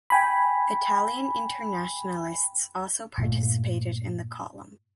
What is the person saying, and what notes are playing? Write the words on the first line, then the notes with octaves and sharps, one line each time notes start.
Italian internationalists also participated in the column.
G5 G#5 B5
G2 A#2 A3